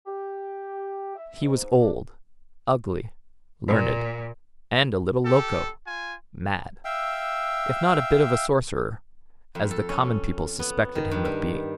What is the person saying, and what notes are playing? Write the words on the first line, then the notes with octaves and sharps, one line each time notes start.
He was old, ugly, learned--and a little "loco"--mad, if not a bit of a sorcerer, as the common people suspected him of being.
G4
E5
G#2
D4
A#2
G4 A4
F4 G#5
E5 F5 G5 E6
F2
A4
C#4
B3
D#3
G2
G3